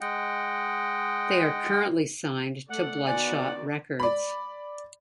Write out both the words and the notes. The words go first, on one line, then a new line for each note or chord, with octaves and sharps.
They are currently signed to Bloodshot Records.
G#3 D#5 F#5 G5
A3 A4 D5 F#5
D#3 B3 F#4 D5 G#5
D5 B5